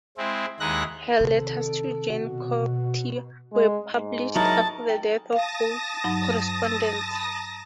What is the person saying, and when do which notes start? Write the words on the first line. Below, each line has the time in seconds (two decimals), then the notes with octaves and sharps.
Her letters to Jean Cocteau were published after the death of both correspondents.
0.18 G#3 C4 E4
0.60 D#2 G#3 D#4 E4 F#6 A#6
1.20 C3 D#3 A4
2.10 B2 F#4
3.53 G#3
3.94 G#2
4.36 F#3 D#4 E4 A#4 D#5 A5 A#5
4.89 G5
5.33 F5 A5 D#6 A#6
6.04 G2 F#3 D#4
6.65 E6 A6